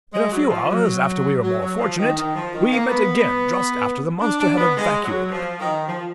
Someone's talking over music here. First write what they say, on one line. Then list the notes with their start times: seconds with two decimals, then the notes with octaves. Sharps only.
In a few hours after we were more fortunate, we met again just after the monster had evacuated.
0.12 G#3
0.30 F#3
0.49 F3
0.68 F#3
1.42 F#3
1.61 F#3
1.79 F3
1.97 D#3
2.16 D#3
2.35 F3
2.53 D#3
2.71 A#3
2.90 B3
4.20 D4
4.39 D4
4.57 B3
4.76 G#3
5.03 F#3
5.31 F3
5.60 D#3
5.87 F3